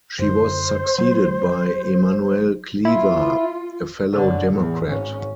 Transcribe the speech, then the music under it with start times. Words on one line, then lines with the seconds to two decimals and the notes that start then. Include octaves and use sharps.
She was succeeded by Emanuel Cleaver, a fellow Democrat.
0.19 F#2 D3 C5
0.98 F#3
2.85 E4 F4
4.12 F#2 D3
4.53 E2 A2
4.85 G#1 C#4